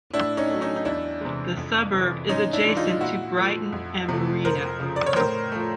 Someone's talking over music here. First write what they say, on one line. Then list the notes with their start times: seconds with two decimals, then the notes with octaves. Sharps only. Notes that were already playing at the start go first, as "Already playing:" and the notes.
The suburb is adjacent to Brighton and Marino.
0.13 A2 D4 E4
0.37 C#4 D#4
0.50 F#3 A3
0.61 C#4 D#4
0.76 D#4
0.85 E2 D4 E4
1.21 C3 E3 G#3
1.57 F2
1.93 C3 E3
2.28 G#2 C#4 D#4
2.53 D4 E4
2.65 E3 G#3
2.77 D#4 F4
3.01 A#2 E4 F#4
3.37 F3 A3
3.73 F2
4.09 C3 F3 A3
4.45 F2 A#4 C5
4.80 C#3 F3
4.96 D5
5.06 C#5
5.16 A2 A#4 C5
5.52 F3 A3